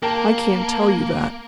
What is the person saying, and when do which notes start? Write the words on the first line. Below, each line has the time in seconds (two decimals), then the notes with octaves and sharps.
"I can't tell you that."
0.02 A#3 A#4 G5 A5